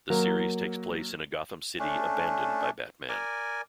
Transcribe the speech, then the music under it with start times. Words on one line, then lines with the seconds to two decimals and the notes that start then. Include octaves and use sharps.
The series takes place in a Gotham City abandoned by Batman.
0.10 F#3 A#3
1.79 A3 C#4 D4
3.09 A#4 D5 G#5